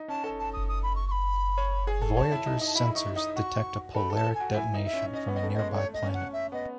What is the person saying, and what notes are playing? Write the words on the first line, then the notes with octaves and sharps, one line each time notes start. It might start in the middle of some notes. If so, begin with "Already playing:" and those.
"Voyager"s sensors detect a "polaric" detonation from a nearby planet.
Already playing: D#4
C#4 A5
A4
A5
D#6
D#6
B5
C#6
C#6
B5
C#5
G#4
A4
C#5 A5
E4
D#4
D#4
A5
E4 B5
D#4 C#6
D#4 D#6
F#4 C#6
A4 B5
A4
A5
A4
G#5
F#4
E4 G#5
D#4
E5
C#4
C#4 D#5
B3
D#5
A3
G#3 D#5
A3 C#5
D#5
C#4
F#5
E5
B3 D#5